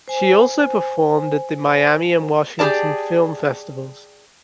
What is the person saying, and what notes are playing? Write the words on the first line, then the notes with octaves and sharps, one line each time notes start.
She also performed at the Miami and Washington Film Festivals.
C5 G#5
G4 G#4 B4 D5 A5